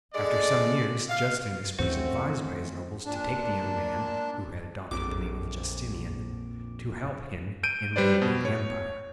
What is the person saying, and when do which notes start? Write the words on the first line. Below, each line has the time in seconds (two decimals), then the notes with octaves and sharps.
After some years Justinus was advised by his nobles to take the young man, who had adopted the name of Justinian, to help him in ruling the empire.
0.14 D3 G#3 D5
1.09 F5
1.79 D#2 G#2 E3 A3 C4 C#4 F#4 C5
3.06 A#2 D4
4.91 A#1 F2 D6
7.63 G6 D7 D#7
7.96 G3 B4 C5 D5
8.22 B2
8.45 C#5